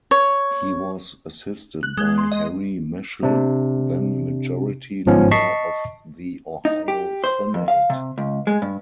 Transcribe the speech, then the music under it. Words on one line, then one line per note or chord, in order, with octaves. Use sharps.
He was assisted by Harry Meshel, then majority leader of the Ohio Senate.
C#5
F#6
G#3
C6
D#5
C3 D4
G1 G#2 F3 B3 C#4
D#5 A5 C#6 B6 C7
D#4
G4
C5
F2
F5
C3
C#2
G#3
G2